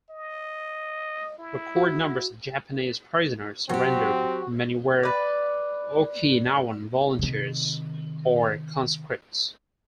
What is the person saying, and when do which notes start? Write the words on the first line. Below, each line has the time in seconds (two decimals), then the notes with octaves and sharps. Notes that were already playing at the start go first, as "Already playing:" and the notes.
Record numbers of Japanese prisoners surrendered; many were Okinawan volunteers or conscripts.
0.10 D#5
1.38 E4
1.76 F#4
3.69 F#3 C4 F#4 G4
5.03 B4 D5
7.19 C3 D#3